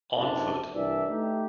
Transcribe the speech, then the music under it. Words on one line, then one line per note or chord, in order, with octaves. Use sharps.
On foot.
F#1 B1 C3 C4 D4 A5
C2 E3 D4 D5 E5
A3 D#4 G4